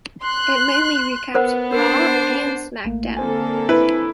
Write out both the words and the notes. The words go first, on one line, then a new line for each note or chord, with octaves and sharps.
It mainly recaps "Raw" and "SmackDown".
C6 F#6
B3 A#4 C5 F#5
D4 A#4 C5
A1 A3 A#3
D3 A#3 C4 A4 C5 G#5
E4 B4